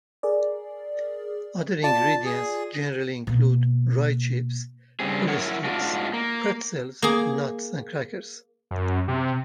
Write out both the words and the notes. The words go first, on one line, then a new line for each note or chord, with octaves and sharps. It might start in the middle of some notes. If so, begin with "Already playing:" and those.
Other ingredients generally include rye chips, breadsticks, pretzels, nuts and crackers.
G#4 A#4 D5
F4 D5 A5
G#4
B2 A#3
G2 C#3 G3 C4 G#4
F#3 E4 A#4 C#5 F#5
G#2 D4 F4 F#4
A#3
A#3 G#4
F#2
C3